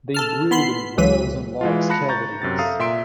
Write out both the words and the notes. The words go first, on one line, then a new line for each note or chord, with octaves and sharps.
They brood in walls and logs cavities.
A4 A5 F6
B3 B5 C6 C7
C#2 E3 F#3 B6 D#7
E3 G#3 F4
A5 B5 F#6 A#6 C#7
A#5 C#6 G6 A6
F#2 C3 A6
A4 E5 F5 A#5 D#6
A#2 E5 C6 D7